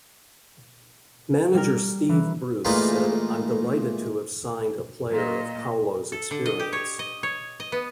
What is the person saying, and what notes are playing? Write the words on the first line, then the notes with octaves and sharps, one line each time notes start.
Manager Steve Bruce said I'm delighted to have signed a player of Paulo's experience.
G3 A#4
E3
A#2 E3 G#3 A3 D#4 F4
A#2 D#5
A4
D3
D#5
G4
C#5
D#5
C#5
D#5
B3